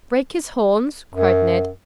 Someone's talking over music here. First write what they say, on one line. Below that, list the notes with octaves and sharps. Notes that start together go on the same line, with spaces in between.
"Break his horns!" cried Ned.
F#2